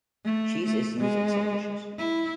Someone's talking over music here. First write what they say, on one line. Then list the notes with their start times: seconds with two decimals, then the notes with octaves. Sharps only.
Cheese is used in some dishes.
0.25 A3
0.65 A3
1.00 G#3
1.98 E4